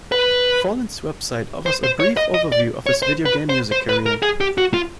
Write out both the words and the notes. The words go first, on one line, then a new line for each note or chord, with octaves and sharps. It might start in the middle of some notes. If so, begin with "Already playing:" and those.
Follin's website offers a brief overview of his video game music career.
B4
C5
C5
C#5
D#5
D#5
D5
C#5
C5
B4
C5
C5
B4
A#4
G#4
G4
F#4
F4